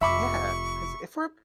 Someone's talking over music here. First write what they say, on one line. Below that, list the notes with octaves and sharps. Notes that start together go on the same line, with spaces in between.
Yeah, 'cause if we’re
F1 E5 B5 C#6 D6